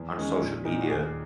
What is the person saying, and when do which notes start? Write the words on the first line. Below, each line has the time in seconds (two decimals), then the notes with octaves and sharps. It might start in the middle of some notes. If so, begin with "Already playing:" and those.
on social media,
Already playing: E2
0.18 D#3 G#3 C#4
0.41 A#1
0.65 A#2 A#3 D#4
0.82 F#4
0.88 D#2 G#4